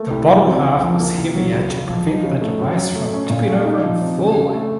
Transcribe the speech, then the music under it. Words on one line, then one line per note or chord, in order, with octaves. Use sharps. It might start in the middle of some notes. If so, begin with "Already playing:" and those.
The bottom half is heavier to prevent the device from tipping over and falling.
Already playing: A3 A#3
C2
F#3
C4
C#2
F3
A#3
C2
F#3
C#2
C#2
F3
D#4
C#3
A3
F#2
F#2
A3
C#4
A#2
A3
D#4
F3
C4
C#3
C#3
A3